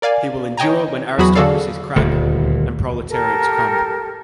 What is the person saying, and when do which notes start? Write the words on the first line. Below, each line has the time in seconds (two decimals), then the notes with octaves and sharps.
He will endure when aristocracies crack and proletariats crumble.
0.02 A#4 D5 F5 G#5
0.57 C#5 D#5 G5 G#5 A#5
1.18 E2 F#3 F#4 G#4 B5
1.35 D3 F#4 G#4 A4 D5 F5
1.96 D#1 D2
3.08 G4 A4 A#4